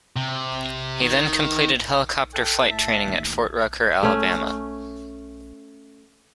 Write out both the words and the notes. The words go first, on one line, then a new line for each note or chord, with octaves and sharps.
He then completed helicopter flight training at Fort Rucker, Alabama.
C3
D#3
A4 G5 F#6
A2 E5 A5
A1 D#2
A3 C#4